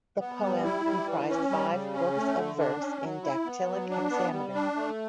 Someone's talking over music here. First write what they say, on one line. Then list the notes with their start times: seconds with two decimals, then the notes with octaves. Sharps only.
The poem comprised five books of verse in dactylic hexameter.
0.20 B3
0.42 G3
0.64 E4
0.85 G3
1.07 E3
1.29 C#4
1.50 G3
1.72 C#3
1.93 C#4
2.16 A3
2.37 D3
2.59 D4
2.80 C#4
3.03 F#3
3.23 E4
3.46 B3
3.68 F#3
3.90 D4
4.10 B3
4.33 G3
4.54 D4
4.76 A3